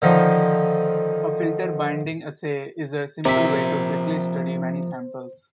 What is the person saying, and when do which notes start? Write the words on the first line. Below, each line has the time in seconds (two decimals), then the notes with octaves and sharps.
A filter binding assay is a simple way to quickly study many samples.
0.02 D3 D#3 F3
3.25 C3 F3 A#4 C5 E5